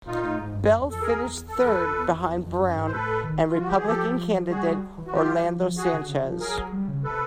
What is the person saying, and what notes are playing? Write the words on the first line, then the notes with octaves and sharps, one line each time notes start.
Bell finished third behind Brown and Republican candidate Orlando Sanchez.
A#2 D#4 F4
A#2
A2
G#2
G2
F#2
E2
F2 A4
E2 G#4 A#4
A4
A#4
F2 A4 B4
F2
E2
F2
E2
F2
F#2
G#2
C5
A2 A4 B4
D#3
F4
F3
F#4
E3 F3 G4
G#4
F3 G4 A4
G3 F#4 G#4
G3
E3
F#4
F#3 F4 G4
F#3
F#3
F3
F3
F#4 G#4
D3
C#3
F3
F#3 G#4 A#4
F#3
G3
C#3
C3 A4 B4